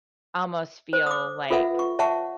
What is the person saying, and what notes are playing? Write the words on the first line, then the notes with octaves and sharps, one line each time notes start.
almost feel, like,
C5
D6 D#6
F4 A4 B4 E5 F#5
C#6
C#5 E5 F#5 A5 C#6